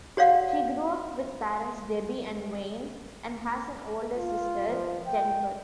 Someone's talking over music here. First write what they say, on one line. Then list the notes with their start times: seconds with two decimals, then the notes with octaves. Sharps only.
She grew up with parents Debbie and Wayne, and has an older sister, Jennifer.
0.17 F#4 C#5 D5 F5 F#5
4.16 F4
4.67 F3
5.07 G5